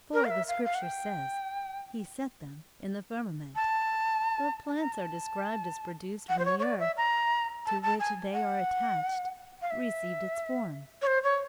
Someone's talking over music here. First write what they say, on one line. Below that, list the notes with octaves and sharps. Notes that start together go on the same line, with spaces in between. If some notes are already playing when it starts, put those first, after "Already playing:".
For, the Scripture says: "He set them in the firmament." But plants are described as produced when the earth, to which they are attached, received its form.
A#4
F5
E5
F5
F5
F#5
G5
A5
A#5
A5
F#5
C5
C#5
C#5
D5
E5
A#5
A5
A5
G#5
F#5
F5
E5
C#5
C5
C#5